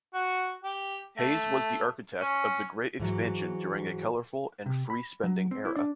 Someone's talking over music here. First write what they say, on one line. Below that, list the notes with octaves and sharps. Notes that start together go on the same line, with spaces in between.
Hays was the architect of the great expansion during a colourful and free-spending era.
F#4
G4
A3
C#4
G#2 E3 F#3
C3
B5
F#3
C4
E4
D4